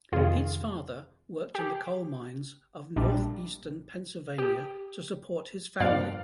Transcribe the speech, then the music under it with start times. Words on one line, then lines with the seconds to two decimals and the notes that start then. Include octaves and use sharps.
Pete's father worked in the coal mines of northeastern Pennsylvania to support his family.
0.12 F2 C3 D#3 F4 G#4
1.55 G4
2.96 A#1 A#2 G3 D4
4.38 G4
5.80 G2 F3 A#3 D5 F5